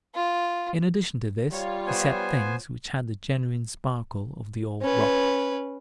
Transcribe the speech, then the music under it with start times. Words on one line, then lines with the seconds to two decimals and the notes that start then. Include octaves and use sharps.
In addition to this, he said things which had the genuine sparkle of the old rock.
0.15 F4
1.52 G3 F4 C#5
1.87 B3 C5 G#5
4.82 C#4 B4